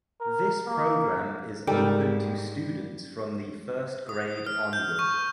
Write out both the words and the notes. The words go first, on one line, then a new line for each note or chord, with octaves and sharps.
This program is open to students from the first grade onward.
A#4
A#3
G#2 G3 D#4 A4 A#4 G5
D#6
F6
G6
C#6